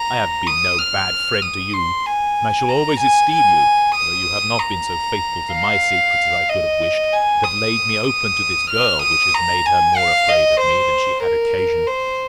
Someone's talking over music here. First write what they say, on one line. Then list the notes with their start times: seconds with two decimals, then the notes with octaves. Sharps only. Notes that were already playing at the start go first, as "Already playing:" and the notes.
I have been no bad friend to you; and I shall always esteem you, though you have not been so faithful to my secrets as I could have wished, and have laid me open to this girl, which has made her more afraid of me than she had occasion.
Already playing: A#5
0.47 D#6
0.79 F6
1.42 D#6
1.73 C6
2.06 G#5
2.69 A#5
3.00 G#5
3.32 G#5
3.95 D#6
4.59 A#5
5.54 F5
6.49 D#5
7.13 G#5
7.44 D#6
8.08 D#6
8.71 F6
9.02 D#6
9.34 A#5
9.66 G#5
9.97 F5
10.29 D#5
10.60 C5
11.23 A#4
11.87 C5